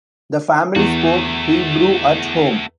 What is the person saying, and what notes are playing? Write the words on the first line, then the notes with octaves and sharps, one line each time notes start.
The family spoke Hebrew at home.
E2 A3 F#4